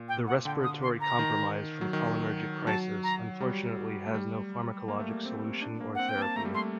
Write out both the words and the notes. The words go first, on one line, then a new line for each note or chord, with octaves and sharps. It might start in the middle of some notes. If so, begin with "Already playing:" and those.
The respiratory compromise from cholinergic crisis unfortunately has no pharmacologic solution or therapy.
Already playing: A#2
G5
F#5
D3 G5
D#6
C6
A#5
D#3
F#3
D#3
D#3
F#3 A5
A#5
G3
A3
G3
A#3
A3
A#3
C4
D4
A#3
C4 F#5
G5
A#3 A5
A3 A#5
G3
A3 C6